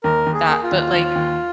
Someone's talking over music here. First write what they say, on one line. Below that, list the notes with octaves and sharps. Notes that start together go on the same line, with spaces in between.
that, but, like
D#2 A#4
D#2
G#4
A#3
F4
D#2
D#2
D#2